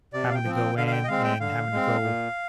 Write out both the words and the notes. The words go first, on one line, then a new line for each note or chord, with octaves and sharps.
having to go in and having to go,
C3 D5
F5
G5
F3 C4
G5
D3 F5
F5
G5
D#5
G#3 C4 F5
G5
D3 F5
G#3 C4
A#2